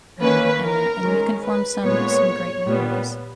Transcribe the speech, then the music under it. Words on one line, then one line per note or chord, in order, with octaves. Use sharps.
um, and that and you can form some some great memories.
D#3 A#3 C#4 B4
A#4
D#3 G#3 C#4
B4
A#2 G#3 B3 C#5
A#2 G3 B3